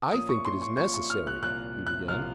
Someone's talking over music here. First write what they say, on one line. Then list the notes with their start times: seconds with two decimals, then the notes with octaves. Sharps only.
"I think it is necessary," he began.
0.12 A#2 F3 A#3 C#4 D#6
0.29 C#6
0.45 C6
0.61 C#6
0.77 A#2 F3 A#3 C#4 C#6
0.94 C#6
1.10 F6
1.27 F#6
1.42 C2 A#2 F3 F#6
1.86 F#6
2.08 C2 A#2 F3 F6